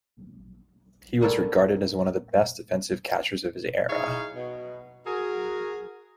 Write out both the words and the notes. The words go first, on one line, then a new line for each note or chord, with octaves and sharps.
He was regarded as one of the best defensive catchers of his era.
A#2 G3 A#3 F4 A4 C#5
D#4 E4 G#4 C#5 D#5 F5
B2
F#4 G#4 A#4